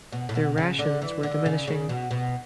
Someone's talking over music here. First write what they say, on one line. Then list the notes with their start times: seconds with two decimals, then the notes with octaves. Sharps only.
Their rations were diminishing.
0.12 B2
0.29 A2
0.35 B2
0.58 C#3
0.79 D3
1.02 E3
1.23 D3
1.46 C#3
1.67 C#3
1.89 B2
2.11 B2